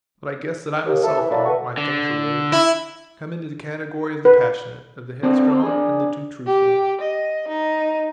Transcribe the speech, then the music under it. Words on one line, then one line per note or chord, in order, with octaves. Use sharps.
But I guess that I myself, in my fainter way, come into the category of the passionate, of the headstrong, and the too-truthful.
D#2
E4 A4
E3
F#3 A3 A#3 D4 E4
E3 F#4 A4 B4 C#6
D3
E4
B4
C4 D4 A4 C5
C4 A4
D4 G#4
G4
D#5
D#4